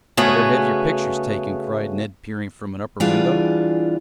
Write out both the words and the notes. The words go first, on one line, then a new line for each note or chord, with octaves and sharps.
"Better have your pictures taken!" cried Ned, peering from an upper window.
C#3 A3 B3 F#4 G#4
E2 E3 G3 D4 F4 G#4